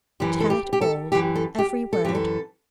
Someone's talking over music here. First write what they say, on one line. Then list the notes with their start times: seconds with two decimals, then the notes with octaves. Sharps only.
"Tell it all;--every word!"
0.20 F#2 E3 G4
0.40 A4
0.50 G4
0.73 G4
0.81 A4
1.12 F#2 E3 G4
1.36 A4
1.59 G4
1.93 A4
2.04 F#2 E3 G4
2.15 A4